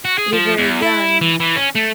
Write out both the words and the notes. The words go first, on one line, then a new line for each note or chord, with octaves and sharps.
you're very young,
F#4
G#4
F3
E2
E4
E3
E3
C#4
A3